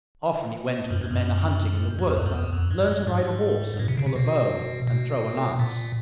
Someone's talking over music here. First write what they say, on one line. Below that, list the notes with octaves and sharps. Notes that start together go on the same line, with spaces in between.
Often he went with the men a-hunting in the woods and learned to ride a horse and pull a bow and throw a lance.
F#2
G2
F#2
G2
E2
F2
F#2
E2
F2
G2
G2
G#2
A2
C3
C#3
C3
B2
B2
A#2